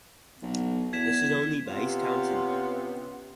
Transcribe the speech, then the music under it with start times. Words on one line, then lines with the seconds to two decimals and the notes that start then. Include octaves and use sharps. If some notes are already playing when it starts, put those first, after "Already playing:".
This is only base counting.
0.42 B1
0.93 E2 G#6 B6 E7
1.66 C3 B3 C#4 F4